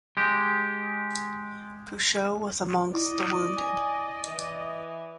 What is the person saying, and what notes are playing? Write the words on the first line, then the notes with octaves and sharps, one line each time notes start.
Pouchot was amongst the wounded.
G#3 G4
E4 D5 D#5
G#5
E3